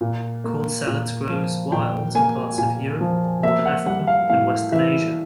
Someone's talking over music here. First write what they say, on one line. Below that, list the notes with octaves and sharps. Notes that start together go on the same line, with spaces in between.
Corn salad grows wild in parts of Europe, northern Africa and western Asia.
A#2
A#3
A#2
F3
A#2 G5
A#3 G#5
A#2 G#5
F3
A#3 E5
F#5
G3 F#5
F5
A2 F5
E3 E5